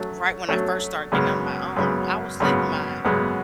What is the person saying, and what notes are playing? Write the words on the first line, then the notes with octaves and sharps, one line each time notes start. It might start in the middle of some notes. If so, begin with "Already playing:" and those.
right when I first started getting out on my own, I was letting my
Already playing: F#3 A3 C#4
F#3 A3 C#4
F#2 C#3 G#3 B3
F#2 C#3 G#3 B3
F#2 C#3 G#3 B3
F#2 C#3 G#3 B3